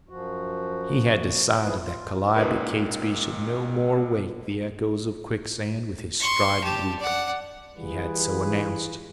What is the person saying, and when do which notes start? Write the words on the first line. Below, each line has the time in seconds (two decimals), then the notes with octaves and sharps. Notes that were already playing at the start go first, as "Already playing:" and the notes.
He had decided that Calliope Catesby should no more wake the echoes of Quicksand with his strident whoop. He had so announced.
0.09 F#2 F3 F#4
1.64 E3 F3 A3 E4 G#4 B4
1.82 F4
2.37 C#2 A#2 A#3 D#4 B4
6.20 C6 C#6
6.64 G4 A5
6.99 D5 F#5
7.77 E3 G3 E4 F4 G#4 B4